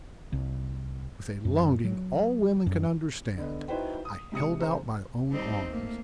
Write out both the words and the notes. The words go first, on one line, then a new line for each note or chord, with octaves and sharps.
With a longing all women can understand, I held out my own arms.
C2
F#2
F#3
F#2
D3 B3 D#5
D#4 E4 F#4 B4 C5 G5
D#6
G#2 C3 D#6 C#7
C#3 C5 A#5
G3 C4 D#4
A3 A#3